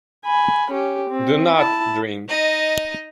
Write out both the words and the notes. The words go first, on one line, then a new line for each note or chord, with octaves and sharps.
Do not drink.
G#5 B5
C#4 G4
C4
E4 A5
D#4 D#5